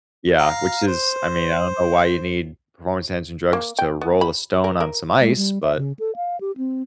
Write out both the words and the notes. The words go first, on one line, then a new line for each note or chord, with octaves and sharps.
Yeah, which is I mean, I don't know why you need performance enhancing drugs to roll a stone on some ice, but
F5 A#5
C5
A#3
G5
B3
B5
A#4
A#4
G#3
G3
E5
C#3
A4
F5
G4
C4